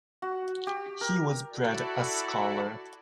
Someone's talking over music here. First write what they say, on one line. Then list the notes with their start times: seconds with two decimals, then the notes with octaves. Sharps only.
He was bred a scholar.
0.22 F#4
0.67 G4
1.01 A#4
1.51 E4 F#4 A4 D5